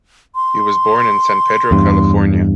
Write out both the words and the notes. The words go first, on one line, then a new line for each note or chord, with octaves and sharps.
He was born in San Pedro, California.
C6
E2 G2